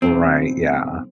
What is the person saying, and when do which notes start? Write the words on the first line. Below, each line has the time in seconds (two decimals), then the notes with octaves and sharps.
Right. Yeah.
0.02 B1 C4